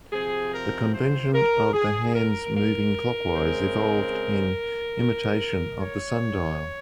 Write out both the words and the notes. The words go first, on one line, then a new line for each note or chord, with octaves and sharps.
The convention of the hands moving clockwise evolved in imitation of the sundial.
C3 F3 C4 G#4
A#4
C5
A#4
G#4
A#4
A#4
C#3 G#3 C4
C#5